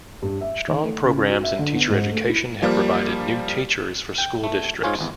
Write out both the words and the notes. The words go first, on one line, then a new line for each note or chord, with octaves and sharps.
Strong programs in teacher education have provided new teachers for school districts.
G2
E5
D#3
A3
C#3
F#4
E5
D3
B3
G#2
A3
E4
F3 G3 A#3
G5
A3
G#2 F4 C#5 G#5
G#1 E2